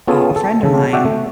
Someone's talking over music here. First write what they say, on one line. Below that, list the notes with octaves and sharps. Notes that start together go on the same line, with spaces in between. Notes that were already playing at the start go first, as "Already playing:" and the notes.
uh, a friend of mine,
B3 C#4 F4 G#4 A4
A4
C#3 A4
F#4 D5 E5 F#5 G5
A3